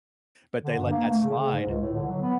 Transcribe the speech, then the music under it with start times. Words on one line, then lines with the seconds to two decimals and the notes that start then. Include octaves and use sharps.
But they let that slide
0.63 D3
0.77 G2
0.91 A#3
1.09 A3
1.23 C#3
1.37 C#3
1.53 G#2
1.67 C#2
1.81 A2
1.94 D3
2.08 F#3
2.22 B3